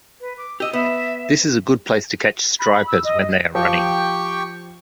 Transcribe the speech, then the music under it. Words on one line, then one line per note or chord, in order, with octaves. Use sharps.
This is a good place to catch stripers when they are running.
B4
D6
G4 D#5 E6
B3 E5
B5
B5
E6
D#5
F3 G4 G5 C#6